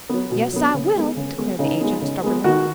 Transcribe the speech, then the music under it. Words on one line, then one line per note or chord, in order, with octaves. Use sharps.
"Yes, I will," declared the agent, stubbornly.
F#3 B3
B2
F#3 B3
C#3
G#3 B3
C#3
G#3 B3
C#3 D#4
G#3 B3
C#3
G#3 B3
D#3 F#4